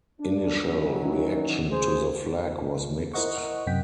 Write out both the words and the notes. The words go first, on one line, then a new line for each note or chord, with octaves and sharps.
Initial reaction to the flag was mixed.
D4
D#3 E3 F#3 G3 C#4 D#4
C#2 G#4 C5
E4 A#4 C5 D#5 F#5 C#6
F#2 C3 F#5 G5 B6